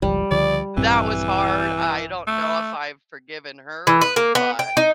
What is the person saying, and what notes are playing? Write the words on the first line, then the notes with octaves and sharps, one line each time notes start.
that was hard, I don't know if I've forgiven her but
G1 C#2 F3 G3
C#2 D3 F3 D5
A#1 G2 E3 C4
A3
E3
B4
A#3
B3
G5
D#4